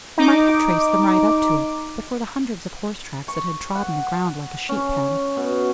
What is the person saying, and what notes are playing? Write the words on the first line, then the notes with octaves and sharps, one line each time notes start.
He might have traced them right up to it, but for the hundreds of horse tracks that had trodden the ground like a sheep-pen.
D#4 D6
C#6
F#5
C#4
B2